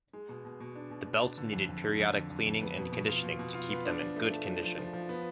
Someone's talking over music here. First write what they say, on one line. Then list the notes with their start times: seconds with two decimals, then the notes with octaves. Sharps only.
The belts needed periodic cleaning and conditioning to keep them in good condition.
0.13 G#3
0.29 B2
0.45 B2
0.61 B2
0.76 D4
0.91 B2
1.06 B2
1.22 D4
1.38 D3
1.53 F2
1.68 F2
1.84 D3
2.00 F2
2.14 D3
2.30 F2
2.46 F2
2.61 B3
2.76 B2
2.93 B2
3.07 F4
3.23 B2
3.39 B2
3.54 F4
3.69 B3
3.85 D4
4.01 F3
4.16 A3
4.32 A3
4.47 F3
4.63 F3
4.79 F3
4.93 F3
5.09 B3